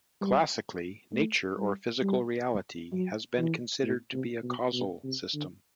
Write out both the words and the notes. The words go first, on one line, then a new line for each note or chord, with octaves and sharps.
Classically, nature or physical reality has been considered to be a causal system.
G3
A3
G3
G3
F#3
E3
A2
C3
B2
B2
C3
D3